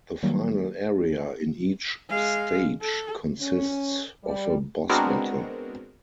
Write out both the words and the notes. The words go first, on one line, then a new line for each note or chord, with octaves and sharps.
The final area in each stage consists of a boss battle.
D#3 F#3 G3 A#3
G#3 F5
A4
C#4
G3
G#3 B3 C4 D4 F#4 A#4